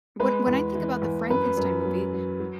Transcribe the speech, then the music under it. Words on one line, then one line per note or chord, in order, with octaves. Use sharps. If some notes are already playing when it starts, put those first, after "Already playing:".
When when I think about the Frankenstein movie,
G#3 B4
E2
E3
E2
F#2 B4
F#2
F#3
F#3
F#3